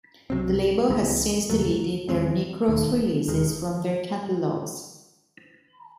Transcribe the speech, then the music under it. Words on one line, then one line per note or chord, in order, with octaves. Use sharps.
The label has since deleted their Necros releases from their catalogue.
C2 C3 F#3 C4
C#2 C#3 E3 G#3
D#2 C#3 F#3 A3
E2 D#3 G#3 C4
E1 D#2 D#3
E1 D#2 D#3 G#3